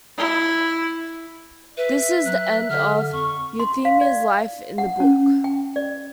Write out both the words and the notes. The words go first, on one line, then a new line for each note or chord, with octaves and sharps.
This is the end of Euphemia's life in the book.
E4
B4 E5
F#3 F#6
D3 F6
F2 C#6
C6
F5
D5
F#5
C#4
G5
D5